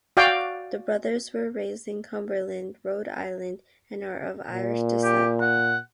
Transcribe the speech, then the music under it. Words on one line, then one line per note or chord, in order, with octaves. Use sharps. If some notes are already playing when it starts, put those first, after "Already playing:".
The brothers were raised in Cumberland, Rhode Island and are of Irish descent.
F#4 D5 F5 G5
A#2
G4
F#5